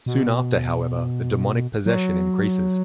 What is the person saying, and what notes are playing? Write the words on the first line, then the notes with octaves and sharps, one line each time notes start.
Soon after, however, the demonic possession increases.
B2
F#3